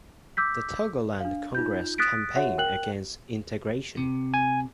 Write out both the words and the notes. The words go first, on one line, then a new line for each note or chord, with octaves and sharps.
The Togoland Congress campaigned against integration.
D6 E6 G6 B6
D4 F5
D#4 F4 G6
D#6 F#6 A6 B6 D7
F#4 C#5 E5 F#5
A#4 G5 F#6 F#7
C3
G#5